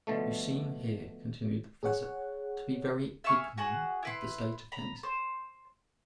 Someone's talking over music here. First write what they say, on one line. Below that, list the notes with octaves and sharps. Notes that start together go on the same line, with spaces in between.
"You seem here," continued the professor, "to be very ignorant of the state of things."
B2 D3 F3 A3
G#4 C#5 F#5
E5 F5 G#5 C#6
F#4 G#4 F#5
E4 B4 C6
A#5 B5
C5